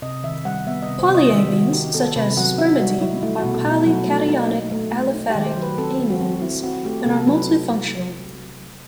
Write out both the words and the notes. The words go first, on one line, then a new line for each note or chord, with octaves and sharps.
Polyamines, such as spermidine, are polycationic aliphatic amines and are multifunctional.
C3 D#5
D#3 E5
G3 F#5
B3 E5
D#5
C3
C5
C3
D#5
D#3 E5
D#3 F#4
D#4 G4
B3 A4
C3 B4
F#3 F#5
D#4 E5
G3 F#4
D#4 E4
A3 E4
F#4
B2
A4
B2
E4
F#3 F#4
A3
D#4
D#4
A3
A3
D#4
G4
D#3
C5
F#3
B4
C4 A4
C4
F#4
C4
C4 E4
C4 F#4
A3 G4
C3 A4
F#3 B4